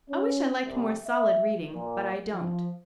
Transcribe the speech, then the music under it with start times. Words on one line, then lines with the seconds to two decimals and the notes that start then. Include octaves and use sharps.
I wish I liked more solid reading; but I don't.
0.10 C#4
0.65 C2
1.06 E5
1.74 A#2
2.33 F3